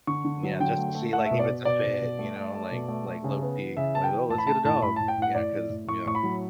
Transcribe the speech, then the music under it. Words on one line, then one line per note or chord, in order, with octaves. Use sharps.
Yeah, just to see, like, if it's a fit, you know, like like, low-key. Like, "Oh, let's get a dog." Yeah, 'cause, you know
D3 C#6
D3
F#3
D3 G5
A3
A3
A3 F#5
E5
B2
D5
B2
B2 D5
B2
B2
A3
A3
A3
B2
A3
A3
C#3
B3
E3
C#3 E5
B3 A5
G5
E3
A2 A5
B5
A3 A5
A2 A5
A2 B5
A2 A5
G5
A2 F#5
A2 D5
A2
A2
A2 C#6
A2 C#6
B5
F#3